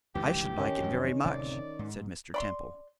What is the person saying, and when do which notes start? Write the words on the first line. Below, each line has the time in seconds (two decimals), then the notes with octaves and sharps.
'I should like it very much,' said Mr. Temple.
0.15 C#2 F#2 D3 E3 G4
0.58 D#3 C#4
0.80 F2 G#2 F#3
1.25 D1 C3 C4 D5
1.79 G#2
2.34 D5 B5 C6